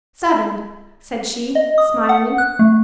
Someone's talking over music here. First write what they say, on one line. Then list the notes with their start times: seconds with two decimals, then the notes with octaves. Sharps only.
"Seven," said she, smiling.
1.55 D#5
1.78 D#6
2.09 F#5
2.38 F#6
2.59 A3